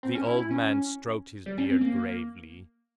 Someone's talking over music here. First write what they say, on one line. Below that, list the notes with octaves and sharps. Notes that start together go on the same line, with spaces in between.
The old man stroked his beard gravely.
C4
C#4
E4
E4
C#4
G3
C#4
C4
A#3